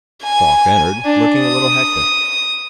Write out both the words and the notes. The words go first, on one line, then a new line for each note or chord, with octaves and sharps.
Falk entered, looking a little hectic.
G#5
D4
D#6